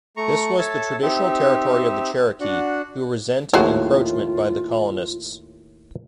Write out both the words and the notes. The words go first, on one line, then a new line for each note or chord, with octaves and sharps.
This was the traditional territory of the Cherokee, who resented encroachment by the colonists.
A3 A#5 C#6
A4 C#5 E5 A5
C4 D#4 G4 E5
D4 F#4 F#5
D#2 A2 F4 F#4 G#4 C5